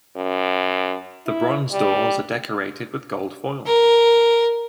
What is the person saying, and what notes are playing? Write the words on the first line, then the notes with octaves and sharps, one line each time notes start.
The bronze doors are decorated with gold foil.
F#2
E4
G3
A#4